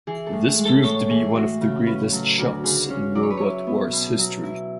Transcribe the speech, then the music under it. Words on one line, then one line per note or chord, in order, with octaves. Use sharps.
This proved to be one of the greatest shocks in Robot Wars history.
E3 G#4
A4
A2
G#4
G#3
A4
A2 C#5
E3 G#4
A2 F#4
C#3
C#4 B4
F#3 A4
D2 F#4
C#3 G#4
C#4 C#5
F#3 D5
C#5
B4
E4 C#5
B3
B2
F#3
E4